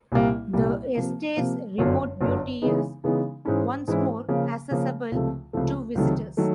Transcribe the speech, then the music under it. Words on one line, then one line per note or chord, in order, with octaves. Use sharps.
The estate's remote beauty is once more accessible to visitors.
C2 A#2 G3 A#3
C2 A#2 G3 A#3
C3 F3 A#3
C3 F3 A#3
G1 F#2 D3
G1 F#2 D3
C#3 E3 G#3 B3 D#4
C#3 E3 G#3 B3 D#4
G#2 E3 G#3 C#4 E4
G#2 E3 G#3 C#4 E4
C#3 F3 A#3
C#3 F3 A#3
C#2 C3 F3 A3
C#2 C3 F3 A3
C#2 C3 D#3 F#3 A3
D#3 F#3 A3